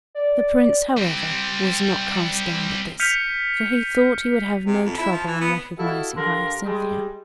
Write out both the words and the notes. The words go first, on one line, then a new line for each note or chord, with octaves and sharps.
The Prince, however, was not cast down at this, for he thought he would have no trouble in recognizing Hyacinthia.
D5
G3 C4
F6 G6 B6 C#7 D#7 F7
C3
F2
E4
F3
E3
B3
E4 F#4 G4 A4 D#5 F5
D3 G4 A4 A#4 F5 C6
G3 G#3